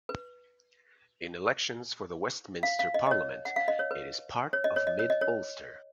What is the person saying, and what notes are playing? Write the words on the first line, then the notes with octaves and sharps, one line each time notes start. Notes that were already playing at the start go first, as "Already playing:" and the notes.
In elections for the Westminster Parliament it is part of Mid Ulster.
B4
F5
F5
D#5
D#5
C#5
F#5
F5
D#5
C#5
B4
C#5
D#5
C#5
D#5
C#5
D#5
C#5